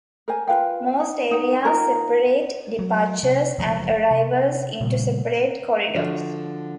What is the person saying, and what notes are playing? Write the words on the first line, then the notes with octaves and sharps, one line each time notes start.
Most areas separate departures and arrivals into separate corridors.
A#4 C5 G#5
F4 B4 F5 G5
D#4
D#4 F#5
D#4 F4 A#4
F#3
C3
F#1 F3 G#3
C3
A#2 C#3 G3 A3
D3 F3 F#4